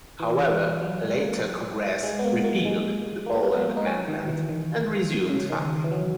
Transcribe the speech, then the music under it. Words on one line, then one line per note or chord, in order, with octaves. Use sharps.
However, a later Congress repealed the Boland Amendment and resumed funding.
E3
F#3
G#3
A#3
G#3
B3
A#3
A#3
G#3
A#3
B3
A#3
B3
A#3
D#4
C#4
D#3
E3
D#3
C#3
D#3
E3
F#3